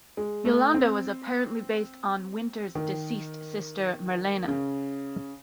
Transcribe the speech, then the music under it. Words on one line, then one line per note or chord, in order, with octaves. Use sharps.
Yolande was apparently based on Wynter's deceased sister Merlene.
G#3
A3
C4
D#3
C#3